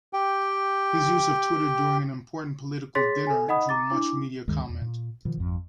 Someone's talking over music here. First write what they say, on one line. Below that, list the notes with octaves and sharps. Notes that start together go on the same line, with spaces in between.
His use of Twitter during an important political dinner drew much media comment.
G4 G5
G#4 C#5 C6 A6 B6
A4 G#5
D#4 D#5 F#5 B5 D#6
A#5 D6 A6
D4 E4 D6
D2 G2 D#3 G#3
E2
A#2
B2 D#3 F3
G#1 F2